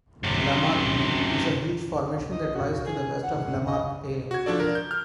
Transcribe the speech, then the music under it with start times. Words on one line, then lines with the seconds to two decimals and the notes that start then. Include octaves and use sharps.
Lamarck D is a huge formation that lies to the west of Lamarck A.
0.24 F#2 C3
2.32 D#5
2.55 F#4
2.86 G#4
3.24 F#5
3.67 D#5
4.31 F#4 G#6
4.46 F3 D4 A4 D5
4.60 A#4
4.75 G6
4.91 F6 G6